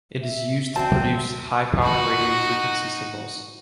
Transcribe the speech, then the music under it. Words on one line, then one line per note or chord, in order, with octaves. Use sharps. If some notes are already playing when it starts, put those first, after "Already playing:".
It is used to produce high-power radio frequency signals.
E5
C4 F#4 D5 D#5 A5
D#4 F#4